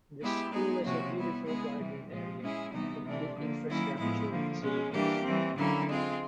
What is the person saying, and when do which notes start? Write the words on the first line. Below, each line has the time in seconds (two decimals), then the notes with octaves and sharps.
The school has a beautiful garden area complete infrastructure facilities.
0.19 G#3 B3 E4 G4
0.51 G#3 B3 D#4 G#4
0.83 C3 F3 A#3 C#4 F#4
1.14 G3 B3 E4
1.45 G#3 B3 E4 G#4
1.77 C3 E3 G3
2.08 A#2 F3 G#3
2.41 G#3 C#4 E4 G#4
2.72 C3 E3 G3 B3 D#4
3.03 C3 E3 A3 D4
3.35 D3 F3 A#3
3.66 D#3 F#3 A#3 C#4 E4
3.97 A2 F3 G#3 B3 E4
4.29 D3 F3 A#3
4.61 B2 G#3 C#4
4.92 E3 G3 A#3 D4 G4
5.24 E3 G3 C4
5.56 D3 F#3 A#3 C#4 E4
5.87 G#3 C4 F4